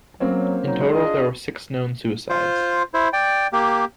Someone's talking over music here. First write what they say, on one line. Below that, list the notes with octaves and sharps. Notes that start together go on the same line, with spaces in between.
In total there were six known suicides.
F#3 A#3 C4 C#4
F#3 D#4
G#3
D4 F4 G#4 D#5
F4 C5
E4 C5
D5 G5
A#3 G4